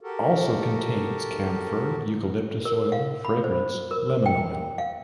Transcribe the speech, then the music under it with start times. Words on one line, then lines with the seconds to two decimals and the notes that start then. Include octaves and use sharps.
"Also contains:" Camphor, eucalyptus oil, fragrance, lemon oil.
0.01 F#4 G4 A4 A#4
2.65 A#4
2.92 F5
3.25 B5
3.44 C5
3.91 A#4
4.26 G5
4.78 F5